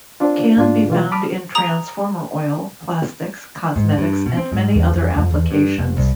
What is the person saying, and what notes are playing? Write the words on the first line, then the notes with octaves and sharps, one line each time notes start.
Can be found in transformer oil, plastics, cosmetics, and many other applications.
C4 D4 F4
G#2 D4 F4
B2 E3 F4
A5 B5 D6 D#6 F6
A#5 D#6 F7
G#2
G2
B2
C4
G#2
E2
F2
F2
E2
G2
F1
C2